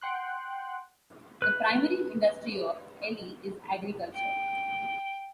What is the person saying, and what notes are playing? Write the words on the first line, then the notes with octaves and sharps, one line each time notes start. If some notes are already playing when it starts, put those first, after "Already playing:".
The primary industry of Elie is agriculture.
F#5 G5 C6 F#6
B4 F#6
G5